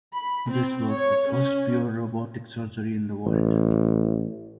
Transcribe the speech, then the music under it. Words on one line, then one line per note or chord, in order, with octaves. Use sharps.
This was the first pure robotic surgery in the world.
B5
C4
C#5
C#4
A1